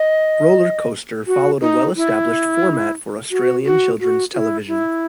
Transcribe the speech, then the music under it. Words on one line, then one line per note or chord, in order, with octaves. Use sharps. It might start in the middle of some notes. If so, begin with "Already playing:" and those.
"Rollercoaster" followed a well-established format for Australian children's television.
Already playing: D#5
F#4
D#4
E4
F#4
F#4
F#4
F#4
E4
E4